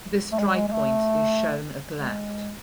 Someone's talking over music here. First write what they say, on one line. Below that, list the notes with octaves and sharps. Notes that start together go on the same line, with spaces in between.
This drypoint is shown at left.
A3
G#3
G3
G#3
G#3
A3
G#3